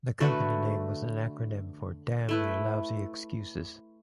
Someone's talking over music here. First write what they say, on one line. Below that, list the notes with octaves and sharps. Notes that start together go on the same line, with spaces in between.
The company name was an acronym for Damn Your Lousy Excuses.
D3 A3 F#4 B4
A3 E4 B4